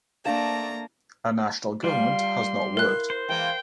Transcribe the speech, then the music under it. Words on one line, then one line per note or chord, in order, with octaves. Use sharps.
A national government has not worked.
A3 A#3 D4 D5 F5 A5 A#5 E7
G3 F4 C6
E4 A#4 F#6
C5
E3 G#3 A#3 G5